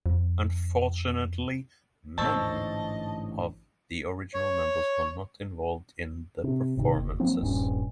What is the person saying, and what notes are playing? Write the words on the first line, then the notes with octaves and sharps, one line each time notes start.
Unfortunately, many of the original members were not involved in the performances.
F2
A1 G#2 D3 C5 D#5 A5 C#6 E6
C#5
C3
G#1 C3 D#3
F#1
F3 F#3 A#3 C4
D#1 G2 C4 C#4